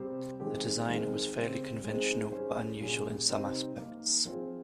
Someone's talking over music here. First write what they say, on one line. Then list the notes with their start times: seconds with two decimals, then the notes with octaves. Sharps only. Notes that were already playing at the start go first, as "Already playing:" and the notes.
The design was fairly conventional but unusual in some aspects.
Already playing: C3 G3 C4 G4 C5
0.40 D#3 G#3 C4 G4
0.88 D#3 G#3 C4 D#4 A#4
1.36 C#3 G3 C4
1.84 G#3 C4 D#4 G#4 C5
2.32 G3 C#4 G#4 C5
2.80 A#2 G3 C#4 G#4
3.28 C3 G3 C4 D#4 A#4
3.77 A#3 D#4 A#4
4.25 F3 C4 F4 G#4 C5